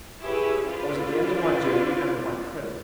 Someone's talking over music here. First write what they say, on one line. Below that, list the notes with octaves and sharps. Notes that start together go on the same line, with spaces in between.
I was at the end of my journey and of my credit.
E4 G4 G#4 B4 C#5 E5
C#4 F4 B4 C5 D5